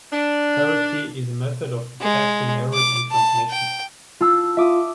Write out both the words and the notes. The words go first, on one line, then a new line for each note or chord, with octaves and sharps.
Parity is a method of detecting errors in transmission.
D4
G#3
D6
A5
G5
F4 A5 E6
F4 E5 D6 D#6